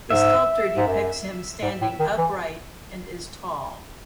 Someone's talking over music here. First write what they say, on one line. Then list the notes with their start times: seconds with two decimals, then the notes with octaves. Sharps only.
The sculpture depicts him standing upright and is tall.
0.10 G#2 E5
0.76 G#2
0.87 F#2
1.62 G#2
1.81 A2
1.99 D#3
2.18 E3